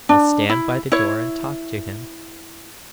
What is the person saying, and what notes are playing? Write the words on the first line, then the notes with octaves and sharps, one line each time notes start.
'I'll stand by the door and talk to him.'
D4
E4
E4 C#5